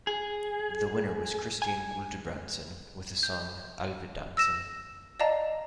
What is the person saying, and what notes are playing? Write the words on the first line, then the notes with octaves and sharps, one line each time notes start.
The winner was Christine Guldbrandsen with the song "Alvedansen".
G#4
G#5
G6
E6 A#6 E7
D5 D#5 F5 A5 A#5